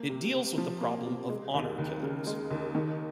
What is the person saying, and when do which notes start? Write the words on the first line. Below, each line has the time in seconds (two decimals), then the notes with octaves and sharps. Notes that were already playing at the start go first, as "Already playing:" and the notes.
It deals with the problem of honour killings.
Already playing: A#3
0.09 C3
0.33 C3
0.58 F3
0.81 A#3
1.05 C3
1.29 G#3
1.54 D#2
1.78 D#2
2.02 C#3
2.27 G#3
2.51 D#2
2.75 D#3